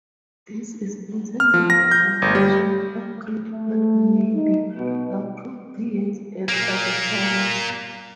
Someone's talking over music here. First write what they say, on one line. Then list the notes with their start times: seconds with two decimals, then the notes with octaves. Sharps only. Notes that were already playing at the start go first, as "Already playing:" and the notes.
This is intended for a version upgrade, but may be appropriate at other times.
1.40 F6
1.54 F3
1.70 A#6
1.91 G6
2.22 G1
2.35 G3
3.50 A3
4.33 D#4
4.75 B2
6.49 A#2 A#3